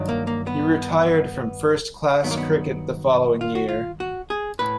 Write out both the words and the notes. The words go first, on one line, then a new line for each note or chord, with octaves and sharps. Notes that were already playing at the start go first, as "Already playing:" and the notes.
He retired from first-class cricket the following year.
Already playing: G2 D#3 F#3
A#3
A#3
B3
G2 D#3 F#3 B3
A#3
B3
F4
F#4
F4
F#4
G#4
A2 B4